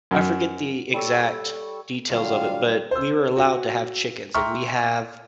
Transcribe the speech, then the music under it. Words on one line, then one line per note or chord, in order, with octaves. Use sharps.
I forget the exact details of it, but we were allowed to have chickens, and we have,
F#2
G3 A4 C#5 E6
D3 F#3 G3 F4 F5 G5
C5 E6
F#4
E5 G5 A#5 C6 C#6 F6